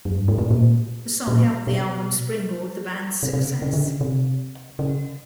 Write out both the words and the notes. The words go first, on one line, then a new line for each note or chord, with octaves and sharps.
The song helped the album springboard the band's success.
F#2
G2
G#2
A2
A#2
A#2
B2
C3
C3
C#3
C#3
D3
C#3
C3
C#3